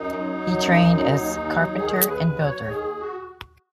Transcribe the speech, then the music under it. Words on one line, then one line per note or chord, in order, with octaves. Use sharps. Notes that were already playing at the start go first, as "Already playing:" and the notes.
He trained as carpenter and builder.
Already playing: F#2 D#4
F#3
F#3
F#2
F#2
F#3
D#2
D#2
F#3
D#3 G#4
D#2
B4
D#2
F#3 C#5
D#3
G#4
D#2
F#4